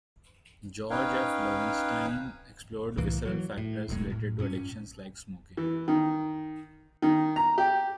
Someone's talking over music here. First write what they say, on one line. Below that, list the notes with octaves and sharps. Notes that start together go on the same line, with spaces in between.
George F. Loewenstein explored visceral factors related to addictions like smoking.
C#4 D#4 B4 C#5 F5 G5
C2 A2 E3 A#3
E3 F#3
A2
E1 B1 A2 G#3
A2
G2 A#2 C4 C#4
E3
D#3
D#3
A#5
G4